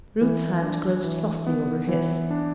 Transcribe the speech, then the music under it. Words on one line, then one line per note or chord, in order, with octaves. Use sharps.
Ruth's hand closed softly over his.
E3
D4
E3
B3
E3
D4